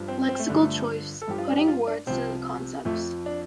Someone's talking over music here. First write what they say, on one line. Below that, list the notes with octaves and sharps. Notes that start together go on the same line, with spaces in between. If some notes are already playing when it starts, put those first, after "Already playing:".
Lexical choice: Putting words to the concepts.
Already playing: G2 F3
C4
C4
A3
G2 D3 F3
A3
A4
G2 F3 G4
F4
D4
G4
F4
D4
C2 C3 F3 C4
F2 F3 A3
D4